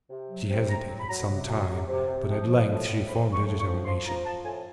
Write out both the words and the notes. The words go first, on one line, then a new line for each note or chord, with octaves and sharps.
She hesitated some time, but at length she formed her determination.
C3
F#3
C3
C3 A#5
F#3
B5
F#3 A#5
C3
F#3
C3
C3
C3
F3
F3
A2
A2
F3 B5
F3
C#6
A2
C#6
F3
F3 C6
F3 A#5
F3 A5
A2 G#5